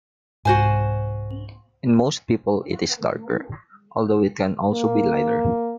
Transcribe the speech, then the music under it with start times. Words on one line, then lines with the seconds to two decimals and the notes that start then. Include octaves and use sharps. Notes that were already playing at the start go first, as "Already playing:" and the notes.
In most people it is darker, although it can also be lighter.
0.45 C2 G#2 F#4 C5 G#5
4.73 A#3